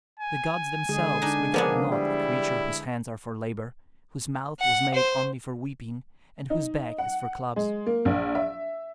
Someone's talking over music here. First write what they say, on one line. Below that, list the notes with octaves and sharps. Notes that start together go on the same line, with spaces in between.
The gods themselves regard not a creature whose hands are for labor, whose mouth was made only for weeping, and whose back is for clubs.
G#5
D3 G#3 G#4
D4 D#4
F3 A#3 B3 D4 G#4
G3 E4
F#5
C5
D#4
F#5
G#3
A#3
A#1
E5